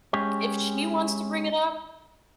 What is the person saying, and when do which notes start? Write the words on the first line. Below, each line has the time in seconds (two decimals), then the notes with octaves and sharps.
If she wants to bring it up,
0.13 G#3 C#4 G4 G#4 C#5